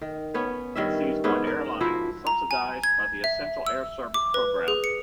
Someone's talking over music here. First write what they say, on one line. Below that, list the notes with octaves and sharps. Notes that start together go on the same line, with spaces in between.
It sees one airline, subsidized by the Essential Air Service program.
D#3
B3 C#4 C#5
G2 D#3 C#4 E5
G#2 B3 C#4 E5
A#4
F3 E4 F#4
A#5
G#5
G#6
E5
E6
D6
B4
G#4
C#7